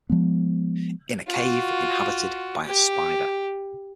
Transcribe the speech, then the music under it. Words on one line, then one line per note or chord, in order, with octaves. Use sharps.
In a cave inhabited by a spider.
F3 G#3 B3
F4 F#4
G4